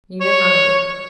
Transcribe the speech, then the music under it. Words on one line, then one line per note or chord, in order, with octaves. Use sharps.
You have earned it.
C#5